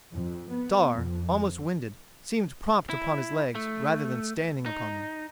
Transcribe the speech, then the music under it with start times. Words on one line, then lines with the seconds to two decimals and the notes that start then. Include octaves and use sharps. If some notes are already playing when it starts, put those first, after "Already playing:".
Star, almost winded, seemed propped upon his legs, rather than standing upon them.
0.11 F2
0.50 B3
0.93 F2
2.90 E4
3.55 A3
4.66 D#4